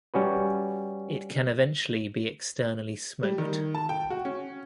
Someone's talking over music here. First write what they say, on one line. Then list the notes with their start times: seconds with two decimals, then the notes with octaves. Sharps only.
It can eventually be externally smoked.
0.14 G3 C#4 F#4 B4
3.23 G3
3.38 D#3
3.75 A5
3.89 G5
4.10 F#4
4.25 C#4